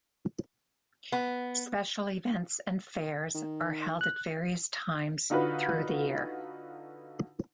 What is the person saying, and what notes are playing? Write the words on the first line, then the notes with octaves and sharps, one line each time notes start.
Special events and fairs are held at various times through the year.
B3
D#3
F#6
D3 D#4 F4 F#4 B4